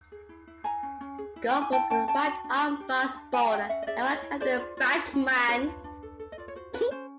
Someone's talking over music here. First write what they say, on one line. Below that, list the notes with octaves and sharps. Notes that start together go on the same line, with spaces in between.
Gough was a right arm fast bowler and right-handed batsman.
G#4
E4
E4
E4 G#5 A#5
C#4
C#4
G#4
E4
E4 G5
G#5
E4 G5 A5
C#4 G5 A5
C#4 G5 A5
F#4
D4
D4
G4
D4
D4
F4 F#5 G#5
C#4 F5 G5
C#4 E5 F#5
D#5
G#4 D5 E5
E4
C#5 D#5
E4
G#4 C5 D5
F4
F4
E4
C#4
C#4
F4 B4 C#5
D4
D4
A4
A4
D#5
F4 D5
C#5
F#4 C5
C#4 B4
C#4 C5